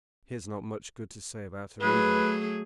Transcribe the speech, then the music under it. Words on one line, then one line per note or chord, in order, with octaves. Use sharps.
"He has not much good to say about her either."
F#3 A3 G#4 B4